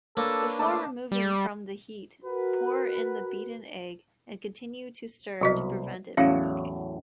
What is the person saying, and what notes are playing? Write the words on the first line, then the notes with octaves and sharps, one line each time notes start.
Before removing from the heat, pour in the beaten egg and continue to stir to prevent it from cooking.
A#3 D4 A4 B4 C#5
A3 A5 D6
G3
F#4 A#4 B4
C2 B2 F#3 F#4 D#5
E2 A2 F#3 C#4 F5